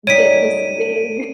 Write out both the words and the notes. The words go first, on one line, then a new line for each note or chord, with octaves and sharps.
get this big,
F#2 G3 D#4 C#5 B6 D7 D#7